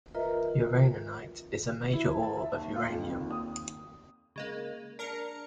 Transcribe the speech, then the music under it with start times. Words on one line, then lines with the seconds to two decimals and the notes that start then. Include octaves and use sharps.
Uraninite is a major ore of uranium.
0.15 F4 A#4 B4 D#5 E5 A#5
1.93 E4
2.22 A5
2.37 E5
2.54 D#2
2.76 F4
2.90 F2
3.13 D#2
3.31 D#6
4.36 C#3 G#3 A#3
4.99 D4 A#4 A#5 C#7